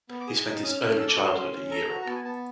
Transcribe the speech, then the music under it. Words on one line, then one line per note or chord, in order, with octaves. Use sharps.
He spent his early childhood in Europe.
B3
D6
G#4 D#6
D#4
C#4 D#6
F6
C#4 F#6
F6
A4 E6
D6
F#4 C#6
C6
C#4
C#4
A4 A#5
F#4
A#5
B3 A5
G#5
B3 A5